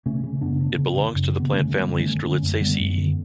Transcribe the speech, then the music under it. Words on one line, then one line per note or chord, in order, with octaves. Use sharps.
It belongs to the plant family Strelitziaceae.
C#3 A3 C#4
C#3
F#2 B3 D4
C#3
C#3
C#3
F#2
C#3
B3
D3 A3 C#4
F#2
G3 B3
D3
A3 C#4
D3
D3 A3 C#4
F#2
D3 G3 B3
F#2
D3